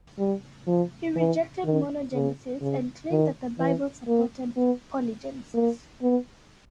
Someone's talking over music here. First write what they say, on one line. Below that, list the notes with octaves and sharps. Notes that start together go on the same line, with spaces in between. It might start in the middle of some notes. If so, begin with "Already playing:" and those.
He rejected Monogenesis, and claimed that the Bible supported Polygenisis.
G3
F3
E3
D#3
C#3
C#3
D#3
E3
A#3
B3
A#3
B3